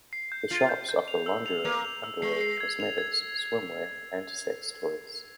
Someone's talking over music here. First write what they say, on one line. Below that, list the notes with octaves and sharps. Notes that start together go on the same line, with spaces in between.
The shops offer lingerie, underwear, cosmetics, swimwear and sex toys.
C7
G6
F4 C7
G6
G6
F7
E6
F7
A#3 F7
F7
E6
G#3 C7
C7
G#6
F7
G#6